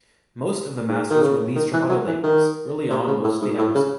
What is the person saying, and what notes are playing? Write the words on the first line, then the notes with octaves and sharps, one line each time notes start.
Most of the masters were leased from other labels, early on mostly Emerson.
G#2
D#3
C#3
D#3
E3
F#3
E3
D#3
C3
C#3
A2
G#2
A2
C#3